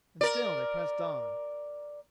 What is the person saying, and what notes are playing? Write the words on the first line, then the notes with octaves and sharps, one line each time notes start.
And still they pressed on.
A#4 D5